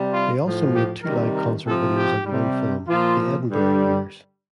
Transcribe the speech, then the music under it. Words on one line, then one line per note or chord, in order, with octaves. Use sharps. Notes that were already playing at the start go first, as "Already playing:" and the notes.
They also made two live concert videos and one film, "The Edinburgh Years".
Already playing: C3 G3
F4
A2 F3
G4
C3 D#3 G3 A#4
A#4
C3 F3 A4
G4
C3 G3
A#2 F3 F4
G2 D3 G3